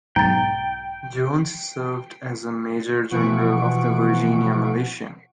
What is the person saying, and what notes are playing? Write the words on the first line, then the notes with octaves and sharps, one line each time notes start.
Jones served as a major general of the Virginia militia.
B1 G#2 G5 A#5 A6
B2 E3 F3 F#5 C#6 D7